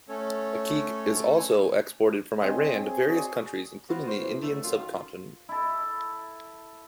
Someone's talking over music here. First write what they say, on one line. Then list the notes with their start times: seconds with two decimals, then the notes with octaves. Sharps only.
Akik is also exported from Iran to various countries including the Indian subcontinent.
0.09 A3 C#4 A4 C#5
2.40 C4 G#4 C#5 D#5
2.79 G#4
3.08 F#4 G#4 C#5 D5
3.89 B3 C4 F4 F#4 C5
4.07 C5
4.20 E2
4.42 D3 F#3 A3
4.64 F#2 D#3 F4
5.49 E4 A4